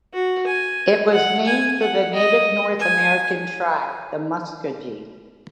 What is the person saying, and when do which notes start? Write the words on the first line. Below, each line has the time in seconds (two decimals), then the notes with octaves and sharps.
It was named for the native north American tribe, the Muskogee.
0.14 F#4
0.47 G#5
1.13 F#5
1.46 G#5
1.80 F#5
2.13 D#5
2.80 G#5